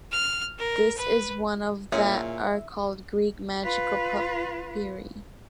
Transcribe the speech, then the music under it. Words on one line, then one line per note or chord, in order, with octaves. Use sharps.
This is one of that are called Greek Magical Papyri.
F6
A#4
B4
A#2 C#4 G#4 E5
F4 B4